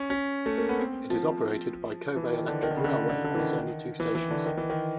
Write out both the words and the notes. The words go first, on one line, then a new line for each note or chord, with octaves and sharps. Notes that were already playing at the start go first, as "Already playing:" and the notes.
It is operated by Kobe Electric Railway and has only two stations.
Already playing: C#4
C#4
A3
A#3
B3
C4
F3
E3
D#3
D3
D#3
D3
C#3
D3
D3
D3
E3
D#3
E3
E3
D3
D#3
E3
D#3